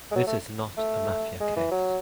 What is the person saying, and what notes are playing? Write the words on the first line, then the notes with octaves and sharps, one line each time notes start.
This is not a Mafia case.
G#3
F#3
A3
A3
G#3
E3
F#3